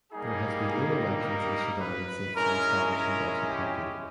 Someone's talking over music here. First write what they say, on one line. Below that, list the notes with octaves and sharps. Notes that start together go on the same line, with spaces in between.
There has been no elections in Sudan since the establishment of the party.
G3 A#3 D#4 G4 G#4
A#4
B4
G#3 C#4 E4 A#4
A#4
G4